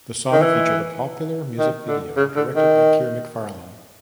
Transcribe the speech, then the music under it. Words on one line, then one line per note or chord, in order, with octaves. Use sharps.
The song featured a popular music video directed by Kier McFarlane.
D#3
E3
D#3
D3
C#3
D3
D#3